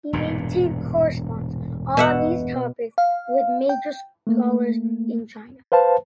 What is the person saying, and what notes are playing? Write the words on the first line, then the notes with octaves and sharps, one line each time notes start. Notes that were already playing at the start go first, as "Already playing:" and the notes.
He maintained correspondence on these topics with major scholars in China.
E1 G2 A#2
B2 E5 F#5
F5
G5
A3 A#3
B4 C5 F5 A5